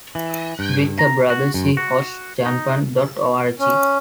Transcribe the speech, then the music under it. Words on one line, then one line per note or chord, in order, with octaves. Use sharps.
With her brother, she hosts Chanpon dot org.
E3
G2
A#5
F#4
F#2
F#4
D#4
C#4